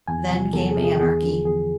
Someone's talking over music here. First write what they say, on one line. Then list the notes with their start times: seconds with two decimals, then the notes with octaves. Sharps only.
Then came anarchy.
0.08 E2 G#5
0.30 C3 F3
0.53 E2 A4
0.69 G#4
0.77 C3 F3
0.84 G#4
1.00 E2 G#4
1.23 D3 F3
1.45 E2 G#4